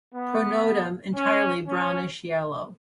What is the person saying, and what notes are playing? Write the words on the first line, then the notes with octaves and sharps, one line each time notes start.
Pronotum entirely brownish yellow.
B3
C#4
C#4